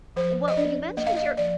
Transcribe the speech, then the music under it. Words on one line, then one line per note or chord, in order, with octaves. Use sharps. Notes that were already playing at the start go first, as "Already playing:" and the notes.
Well, you mentioned your
F3 C5
D#5
D4 D5
A#3 D#5
F5
D#5
F3 D5